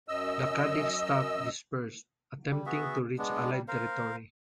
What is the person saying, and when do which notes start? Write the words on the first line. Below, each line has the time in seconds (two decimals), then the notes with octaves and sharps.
The "Cadix" staff dispersed, attempting to reach Allied territory.
0.08 F#2 D#5 E6
2.49 G3
2.66 B3 F#4 G#4 E5
3.18 G#3 B3 D4
3.50 G3
3.68 A#4 C5 F5